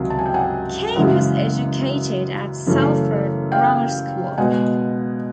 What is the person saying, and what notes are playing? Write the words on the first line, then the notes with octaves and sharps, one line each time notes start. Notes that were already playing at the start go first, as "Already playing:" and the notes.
Caine was educated at Salford Grammar School.
Already playing: C#2 C3 D#3 F#3
A5
G#5
G5
F#5 G#5
F#2 C#3 E3 G#3 E5 F#5
F#2 C#3 E3 A3 C#4
F5 G5
B2 G#3 B3 F#5 G#5